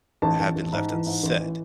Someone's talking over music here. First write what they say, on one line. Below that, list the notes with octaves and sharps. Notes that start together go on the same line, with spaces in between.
have been left unsaid.
A1 A5
A1
A1
G#2
E3
G#2
A1
E3